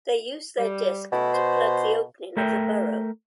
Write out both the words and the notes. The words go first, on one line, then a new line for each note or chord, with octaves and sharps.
They use their disk to plug the opening of the burrow.
G3
B2 A3 C#4 E4
C5
A3 A#4 E5 G5